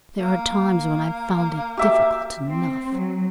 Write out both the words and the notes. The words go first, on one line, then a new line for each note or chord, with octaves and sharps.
"There are times when I've found it difficult enough."
A#3
G4 E5 D6
C4
F#3